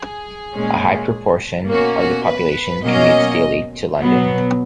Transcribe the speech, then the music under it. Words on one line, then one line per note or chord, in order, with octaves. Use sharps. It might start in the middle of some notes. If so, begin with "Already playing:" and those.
A high proportion of the population commutes daily to London.
Already playing: G#4
A#2 G#3 C#4
B2 A#3 C#4 F#4
F#4
B4
B2 F#3 A#3 C#4 D#5
B2 F#3 B3